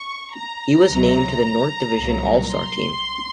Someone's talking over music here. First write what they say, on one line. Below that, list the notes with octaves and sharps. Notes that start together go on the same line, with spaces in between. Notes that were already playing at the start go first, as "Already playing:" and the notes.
He was named to the North Division All-Star team.
Already playing: C#6
A#5
C#2 C3 F#3
C2 A#2 F#3
C6